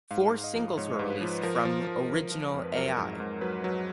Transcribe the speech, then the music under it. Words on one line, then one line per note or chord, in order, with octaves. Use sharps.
Four singles were released from "Original Ai".
G#2 F5
G#2
D#5
F3
G#2 C#5
G#2
B4
F3
F3 A#4
F3
F3
F3
F3
F2
B4
F#3 A#4
G#2
G#2
F#3 B4
F#3